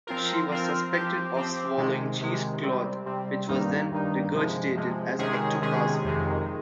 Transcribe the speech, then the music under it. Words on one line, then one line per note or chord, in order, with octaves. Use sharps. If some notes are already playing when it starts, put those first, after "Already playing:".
She was suspected of swallowing cheesecloth which was then regurgitated as "ectoplasm".
F3 C4 F4 A#4
F3 C4 F4 A#4
F3 C4 G4
F3 C4 G4
C3 D#3 G#3
C3 D#3 G#3
C3 G3 C4
C3 G3 C4
G2 D#3 G3 A#3 D#4
G2 D#3 G3 A#3 D#4
C3 F3 G#3
C3 F3 G#3
C3 D#3 G#3 C#4 G#4
C3 D#3 G#3 C#4 G#4
F2 C3 D#3 G#3